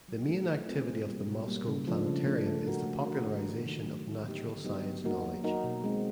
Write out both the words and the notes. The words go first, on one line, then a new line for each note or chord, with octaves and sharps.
The main activity of the Moscow Planetarium is the popularization of natural science knowledge.
F#3
A3 C4 F4 G#4
F#3
A3 C4 F4 G#4
B2
G3 A#3
B2
G3 A#3
C#3
F3 A3 D4
C#3
F3 A3 D4
A3
D4 F#4 A#4
A3
D4 F#4 A#4
D#3
F#3 A3
D#3
F#3 A3
D3
F#3 B3 D#4 G4
D3
F#3 B3 D#4 G4
F#3
A#3 D#4 F#4 A#4
F#3
A#3 D#4 F#4 A#4
B2
G#3 C4 D#4